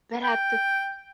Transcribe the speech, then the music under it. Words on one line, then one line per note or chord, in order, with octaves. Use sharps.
but at the
G5